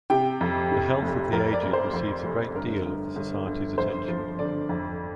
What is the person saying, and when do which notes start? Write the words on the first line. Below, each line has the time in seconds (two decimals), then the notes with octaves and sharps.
The health of the aged receives a great deal of the society's attention.
0.10 C3 G5
0.41 F2
0.72 C3
1.02 F1
1.32 F2 A#4
1.53 D5
1.63 F1
1.73 C5
1.93 F2
2.24 F1
2.55 G1 A#4
2.86 G1
3.16 G1
3.47 G1
3.78 F2 C5
4.08 F3
4.39 D3 D5
4.69 F2